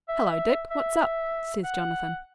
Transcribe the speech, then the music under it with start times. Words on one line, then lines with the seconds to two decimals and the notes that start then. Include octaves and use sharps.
'Hello, Dick, what's up?' says Jonathan.
0.08 E5
0.70 E5
1.64 F#5